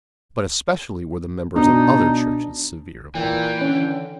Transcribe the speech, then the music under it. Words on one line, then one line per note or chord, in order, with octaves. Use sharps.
But especially were the members of other churches severe upon him.
B2 D4 D#4
A#2 E3 G5
D3 C#4